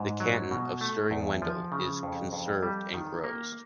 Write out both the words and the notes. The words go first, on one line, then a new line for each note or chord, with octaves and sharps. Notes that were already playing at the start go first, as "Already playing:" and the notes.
The canton of Stiring-Wendel is conserved and grows.
Already playing: G#2
F#3
B2
A3
E2
F3
C#3
F2
F2
G3
D#3
A#3